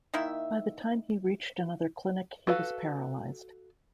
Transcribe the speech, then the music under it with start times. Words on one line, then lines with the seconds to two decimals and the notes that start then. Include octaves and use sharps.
By the time he reached another clinic, he was paralyzed.
0.14 D#3 A#3 E4 E5
2.47 F#4 A4 B4 F5